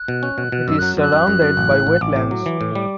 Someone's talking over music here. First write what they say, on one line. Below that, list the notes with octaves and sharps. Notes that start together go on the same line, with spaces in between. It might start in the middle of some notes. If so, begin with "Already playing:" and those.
It is surrounded by wetlands.
Already playing: F#6
B2
C#4
B2
B2
F#2 E6
F#3 F#6
F#2 F#6
F#2
F#2
F#2
A1
A2
A1
A1 D6
A2
F#3
E3
A2
G3